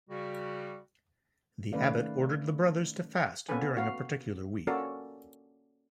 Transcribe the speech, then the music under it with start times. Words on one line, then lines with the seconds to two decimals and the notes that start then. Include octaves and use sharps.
The abbot ordered the brothers to fast during a particular week.
0.10 C#3 G3 F#4
1.73 D#3 A3 C#4 B4 D5 F5
3.49 A#3 B3 C#4 A4 B4 G#5
3.77 F#4 F5
4.67 A#3 C#4 F#4 A4 A#4 D5